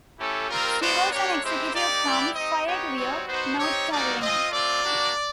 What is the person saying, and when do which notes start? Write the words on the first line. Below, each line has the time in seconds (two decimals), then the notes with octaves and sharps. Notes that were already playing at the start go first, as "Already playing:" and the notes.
She was an executive from Fayetteville, North Carolina.
0.18 A3 C#4 E4 G4 A4
0.49 G3 C4 F4 A#4
0.80 G#3 B3 D4 F#4 C5
1.11 A#3 D4 G4 C#5
1.42 G#3 C4 E4 G4 C5
1.73 A#3 D#4 G4 D5
2.04 G3 B3 E4 G4
2.35 C4 D#4 G4 D#5
2.66 B3 D#4 G4 C#5
2.96 G3 C4 D#4 F#4
3.27 B3 D#4 F#4 C5
3.58 C4 D#4 G4 C#5
3.89 G3 A#3 D#4 F#4 D5
4.20 C4 F4 D#5
4.51 A3 C4 F4 D5
4.82 A#3 D4 F#4